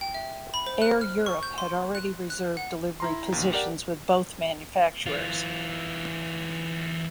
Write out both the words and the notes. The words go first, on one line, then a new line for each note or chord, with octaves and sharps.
Air Europe had already reserved delivery positions with both manufacturers.
G5
E5
B5
C5
F#6
F6
C#6
G6
C6
F#6
F#6
F#5
E4 A#5 C6
A#1 D#2
G4 A#4 D5 F#5
E3 F4